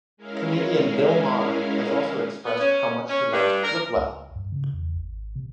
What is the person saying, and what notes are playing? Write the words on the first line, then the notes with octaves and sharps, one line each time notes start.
Comedian Bill Maher has also expressed how much he liked "Lookwell".
G#3 C#4 E4 A#4 F5
B3
C#4
C#4
G2
A#4
C#2
G2
C#3
E2
G#1
C3